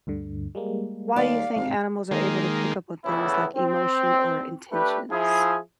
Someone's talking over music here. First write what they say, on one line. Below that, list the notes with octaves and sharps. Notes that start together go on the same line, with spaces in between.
Why do you think animals are able to pick up on things like emotion or intentions?
D2 G2 D3
G3 G#3 A#3
D#2 D5 F5
G#1 G#2 C3
D#3 G#3 A#3
E2 A2 C#3 E3 B3 E4
C4
A3 D4 G4 B4
F3 E4 G#4